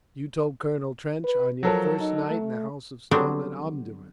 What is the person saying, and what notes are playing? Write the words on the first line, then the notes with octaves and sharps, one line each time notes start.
You told Colonel Trench on your first night in the House of Stone at Omdurman.
B4
F3 F#3 A4 A#4
D#4
A3
D3 F#3 G3 B3 C4 D4